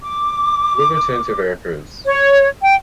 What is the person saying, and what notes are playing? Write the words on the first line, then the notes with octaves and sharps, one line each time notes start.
We’ll return to Veracruz.
D6
C#5
G5